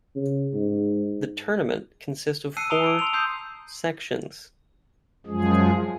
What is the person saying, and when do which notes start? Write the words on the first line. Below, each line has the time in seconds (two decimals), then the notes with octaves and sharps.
The tournament consists of four sections.
0.16 C#3
0.54 G#2
2.57 A5 E6 F#6 C7 C#7 D#7
2.70 A5 A#5 D#6 D7 F7 G7
2.84 E6 D7
2.99 C6 F7
3.13 A5 D#6 E6 G6 C7
5.26 F#2 F3 G#3 G#4